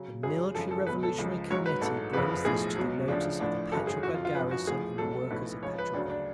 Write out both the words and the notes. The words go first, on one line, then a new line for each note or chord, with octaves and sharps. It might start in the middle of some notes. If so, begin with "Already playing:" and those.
The Military Revolutionary Committee brings this to the notice of the Petrograd garrison and the workers of Petrograd.
Already playing: C#3 F#3
G#1 F#2 C#3 F#3 G#4
G#1 F#2 C#3 F3 A4
A4
C#2 B2 F#3 B4
A4
C#2 C#3 F3
G#1 G#2 F#3 C#5
B4
A1 G#2 F#3 A4
F#1 F2 C#3 F3 B4
B1 A2 F3 G#4
C#2 B2 F#3
D2 C#3 F3 D4
A1 A2 F3 D4
G#1 F#2 C#3 F#3 A4
G#4
F2 F3 F#4
F4
F4
G#1 F#2 F3 B4
F#4
A1 A2 F3 G#4
C#2 B2 F#3 A4
B1 A2 F3 B4
C#2 C#3 F3 C#5
B4
D2 C#3 F#3 D4
D4